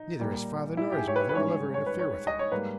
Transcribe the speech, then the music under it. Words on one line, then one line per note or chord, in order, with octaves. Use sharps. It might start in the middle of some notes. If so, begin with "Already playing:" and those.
Neither his father nor his mother will ever interfere with him.
Already playing: D#4
A#2 G3 A#3
E4
G4
G#4
C#5
B4
B4
G#2 D#3 G3 C#4 C#5
C#5
B4
C#5
D#5
C#5
G#2 G3 A#3 B4